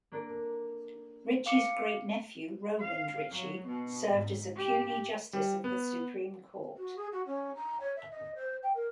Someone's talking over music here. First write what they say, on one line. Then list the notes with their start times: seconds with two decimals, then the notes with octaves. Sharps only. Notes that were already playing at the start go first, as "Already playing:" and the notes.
Ritchie's great-nephew, Roland Ritchie, served as a puisne justice of the Supreme Court.
0.12 A#3 D4 A4
1.46 F5 D6 C#7
2.80 F5
3.31 F#3
3.67 B2
4.07 G#2
4.55 G4
5.33 G3
5.64 B3
6.77 F#4
6.96 G#4
7.12 F#4
7.26 C#4
7.55 A#5
7.80 C#5
7.96 E5
8.11 D#5
8.35 C5
8.63 G5
8.75 A#4